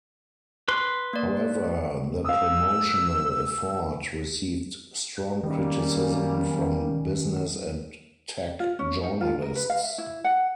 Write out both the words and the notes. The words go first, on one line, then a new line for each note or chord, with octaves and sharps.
However, the promotional effort received strong criticism from business and tech journalists.
B4 C6
A#3 D5
F5 D#6 E6
D#3 G3 A#3 C#4
F4
C#4
D#4
F4
A#4
B4
F5
E5
E4
F#5